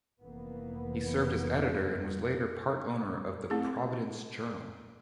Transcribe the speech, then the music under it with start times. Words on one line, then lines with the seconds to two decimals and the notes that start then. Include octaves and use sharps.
He served as editor and was later part owner of the "Providence Journal".
0.23 F1 E3 A#3 B3
3.50 A3 C4 E4 G#4